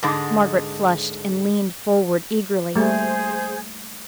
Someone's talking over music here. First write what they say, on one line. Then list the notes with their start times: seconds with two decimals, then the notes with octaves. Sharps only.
Margaret flushed and leaned forward eagerly.
0.03 G#2 D3 G#3
2.76 G3 A3 A#3 G#4 C5